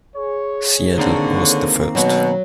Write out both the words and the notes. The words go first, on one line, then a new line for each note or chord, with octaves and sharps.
Seattle was the first.
G#4 C#5
D3 D#3 A#3 C4
B2 F#3